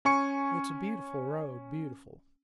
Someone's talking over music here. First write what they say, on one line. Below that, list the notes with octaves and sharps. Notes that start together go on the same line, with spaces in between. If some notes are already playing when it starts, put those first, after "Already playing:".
It's a beautiful road, beautiful.
C#4 G#5 C#6 C#7